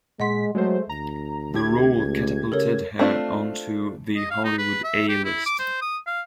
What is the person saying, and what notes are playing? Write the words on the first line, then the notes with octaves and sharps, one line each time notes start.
The role catapulted her onto the Hollywood A-list.
A#2 G#3 D#5 F#5 C6 B6
F#3 G#3 A3 C5
D2 A#5
A3 G4 G#6
C#2
C#3 A4 A#4 C#5
A3 C4 D4 D#4 F4
D#5
F5
D#4
B4
E5
G4
E4
D6
C5
D#6
F5